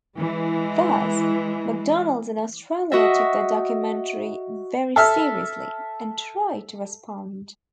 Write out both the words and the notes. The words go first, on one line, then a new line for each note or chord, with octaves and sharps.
Thus, McDonald's in Australia took that documentary very seriously, and tried to respond.
E3 G#3
F#4 D#5 E5
A4 E5 F6